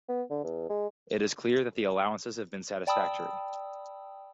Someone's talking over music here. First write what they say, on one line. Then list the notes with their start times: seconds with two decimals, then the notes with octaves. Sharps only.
It is clear that the allowances have been satisfactory.
0.09 B3
0.30 D3
0.44 E2
0.70 G#3
2.87 D5 G5 A5 B5 D#6 E6